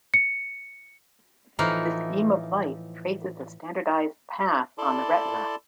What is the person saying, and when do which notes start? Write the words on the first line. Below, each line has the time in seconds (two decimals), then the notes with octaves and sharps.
This beam of light traces a standardized path on the retina.
0.14 C#7
1.59 A2 E3 F3 D#4 F4
4.78 E4 A4 D5 A5 C6 D6